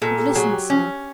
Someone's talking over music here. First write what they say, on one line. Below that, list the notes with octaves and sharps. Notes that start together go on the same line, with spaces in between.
But listen, sir.
A#2 A4
A4
G4
F#3 G#4
G4
C#4